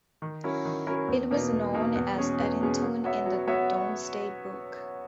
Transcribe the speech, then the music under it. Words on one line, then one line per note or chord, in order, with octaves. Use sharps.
It was known as Eddintune in the Domesday Book.
D#3
F#3 C#4 E4 A#4
D#3
F#3 C#4 E4 A#4
E2
B2 A#3 D#4
E2
B2 A#3 D#4
E2
B2 G#3 C#4 G#4
E2
B2 G#3 C#4 G#4
F#3
B3 F#4 C#5 E5
F#3
B3 F#4 C#5 E5